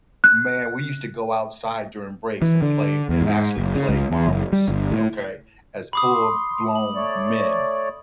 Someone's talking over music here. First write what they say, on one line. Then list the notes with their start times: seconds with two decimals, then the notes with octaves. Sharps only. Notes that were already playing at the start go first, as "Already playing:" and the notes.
man, we used to go outside during breaks and play and actually play marbles, okay, as full blown men,
0.24 F#6
2.42 E3
2.62 D3
3.09 E2
3.22 G#2
3.58 F#1
3.75 C#3
3.89 C#2
4.10 E2
4.27 F#1
4.53 G3
4.68 G1
4.91 A2
5.93 B5 C6 D6 D#6
6.75 F#7
6.95 A3 C#5 D5